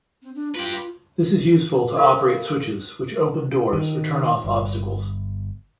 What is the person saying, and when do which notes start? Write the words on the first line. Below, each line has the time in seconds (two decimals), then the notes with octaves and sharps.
This is useful to operate switches which open doors or turn off obstacles.
0.22 C4
0.35 D4
0.55 F4 G4 B4
0.71 F4
1.96 A4 A#4 F5 B5
3.73 D#3
4.45 G1